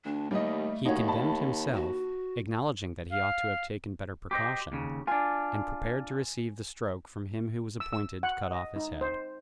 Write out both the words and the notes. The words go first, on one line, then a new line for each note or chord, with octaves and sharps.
He condemned himself, acknowledging that he ought to have taken better precaution, and prepared to receive the stroke from him who was appointed to cut off his head.
D2 D4
D#2 G3 A3 D#5
D#2 D#4 F#4 C#5
A5 B5
F#4
F5
G4 C5 D#5 D6
D#2 C#3
D4 F4 G#5
E6
E6
F#5
D#5
D#4
C5